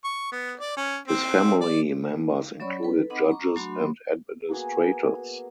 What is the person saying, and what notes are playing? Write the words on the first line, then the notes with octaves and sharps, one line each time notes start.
His family members included judges and administrators.
C#6
B3
D5
C#4
C4
D5
F#3 C#4 C#5 D5 B5 C#6
A4 B4
C4 D#4 D#5 F#5 B5 D6
A#5 C#6 D6
F#3 A3 D4 F#4 B5 C6
A#3 B3 F#4 G#4